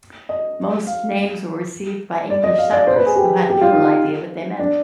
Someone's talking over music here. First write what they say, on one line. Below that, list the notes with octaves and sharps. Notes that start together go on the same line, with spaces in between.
Most names were received by English settlers who had little idea what they meant.
D#5
F5
D5
D#5
F5
D5
C5
B4
G#4
G4
G4
F4
D#4
D4